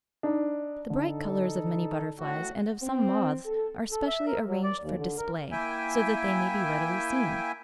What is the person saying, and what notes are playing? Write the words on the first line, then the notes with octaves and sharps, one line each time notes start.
The bright colours of many butterflies and of some moths are specially arranged for display, so that they may be readily seen.
D4 D#4
D3 D#4 A4
A2 F#4
C4
A4
A4
E5
A#4
F#3
D5
D#2
D3
A#4
A#3 E4 E5 G5 G#5